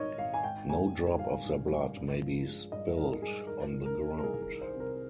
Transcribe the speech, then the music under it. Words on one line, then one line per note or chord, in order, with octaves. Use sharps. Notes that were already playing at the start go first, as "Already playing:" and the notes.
No drop of their blood may be spilt on the ground.
Already playing: G#1 G#2 D#3 A#4 C#5 D#5
G#1 F5
G#5
G#2 G5
G#2 G#5
G#2
G3 F5
A#1
G3
G2
F3
G#3
G2 D#5
G#3 A#4
G2 G#4
D#3 A#4
C2
A#4
D#3
A#4
C2 G#4
A#4
D#3
C5
C3
A#4